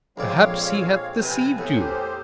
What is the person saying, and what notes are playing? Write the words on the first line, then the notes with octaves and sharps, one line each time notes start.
Perhaps he hath deceived you.
A#1 F2 G#3 C4 C#5 D5 F5
C3 B4 G#5
E2 A2 F#5
G4 C5